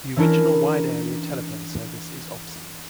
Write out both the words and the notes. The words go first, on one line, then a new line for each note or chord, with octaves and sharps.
The original Wide Area Telephone Service is obsolete.
E3 C#4 D4 E4 A#4